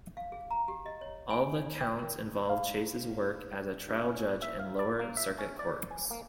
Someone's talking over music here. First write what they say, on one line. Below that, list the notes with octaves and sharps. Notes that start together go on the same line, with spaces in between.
All the counts involved Chase's work as a trial judge in lower circuit courts.
F5
G#4
A#5
G4
D#5
C#5
G#5
D5
G5
A#4
F5
G2
C#4
E5
F5
D5
A#3
E5
C#4
D5
G#5
A#3